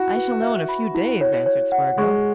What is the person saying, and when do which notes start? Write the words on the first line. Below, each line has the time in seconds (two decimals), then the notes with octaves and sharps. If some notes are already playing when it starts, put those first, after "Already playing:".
"I shall know in a few days," answered Spargo.
Already playing: E4 F#4 B5
0.16 B4
0.43 E5
0.69 B5
0.95 E4
1.21 C#5
1.46 C#5
1.72 F#5
1.98 G#3 C#6